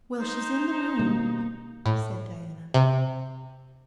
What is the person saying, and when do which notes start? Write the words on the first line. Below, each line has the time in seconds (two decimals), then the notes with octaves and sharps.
"Well, she's in the room," said Diana.
0.21 D#4 C5
0.99 B2 D#3 G3 A#3
1.86 A2
2.74 C3